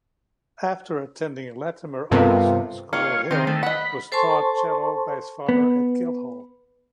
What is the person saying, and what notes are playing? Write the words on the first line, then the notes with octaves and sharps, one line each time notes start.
After attending Latymer Upper School Hill was taught cello by his father at Guildhall.
G2 C3 B3 F4 A4 A#4
D#3 A#3 F4 C#5
D#3 C4 G4 C5
D#3 A3 C4
D#5 F#5 B5
A4 C5 G#5 A5 C6 C#6
B3